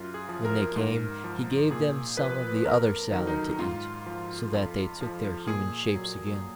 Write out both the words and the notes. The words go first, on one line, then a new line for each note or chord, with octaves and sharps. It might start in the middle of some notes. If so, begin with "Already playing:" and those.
When they came he gave them some of the other salad to eat, so that they took their human shapes again.
Already playing: F#2 F4
G#4
F3
A#4
G#2
F3
A#2 G#4
F3 B4
F2 A#4
D#3 F#3
D#4
G#2 F4
F3
F2
F3
A#2 G#4
F#3